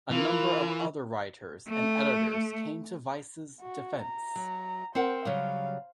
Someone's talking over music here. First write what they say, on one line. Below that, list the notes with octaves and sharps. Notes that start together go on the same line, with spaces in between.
A number of other writers and editors came to Vice's defense.
E3 F4 A#4
A3
F#4
A#5
F#3
C4 A#4 C5 F#5
C#3 F#3 G3 F5